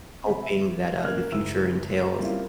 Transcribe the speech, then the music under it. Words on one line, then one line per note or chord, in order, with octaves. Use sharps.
hoping that, uh, the future entails,
C3 B5
E5
F#2 A#3 F6 F#6 G#6
F#1 G#2 E4 E6
G3 A#3 C4 C#4 E4 F4